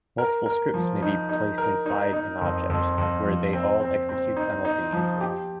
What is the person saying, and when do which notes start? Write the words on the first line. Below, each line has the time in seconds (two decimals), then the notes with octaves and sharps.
Multiple scripts may be placed inside an object, where they all execute simultaneously.
0.18 A#4
0.46 A#4
0.74 F3
1.02 D#4
1.29 D#4
1.58 A#4
1.86 D#4
2.13 D#4
2.41 F2
2.70 F2
2.98 F2
3.25 F3
3.53 C4
3.81 C4
4.09 C4
4.37 D#4
4.65 D#4
4.93 F3
5.21 G4